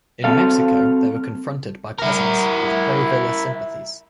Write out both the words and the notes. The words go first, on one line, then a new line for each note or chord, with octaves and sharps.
In Mexico they were confronted by peasants with pro Villa sympathies.
C4 F#4 A4 F5
E4 A#4